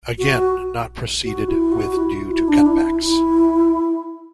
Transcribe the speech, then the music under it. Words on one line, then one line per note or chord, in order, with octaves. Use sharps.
Again not proceeded with due to cutbacks.
F#4
F#4
E4
F#4
E4
F#4
E4
D4
E4
E4